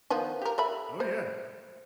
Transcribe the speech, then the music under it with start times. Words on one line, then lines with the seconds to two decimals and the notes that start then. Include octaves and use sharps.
Oh, yeah.
0.10 D#3 F3 B3
0.42 G4 A#4
0.58 A4 E5 B5
1.00 C5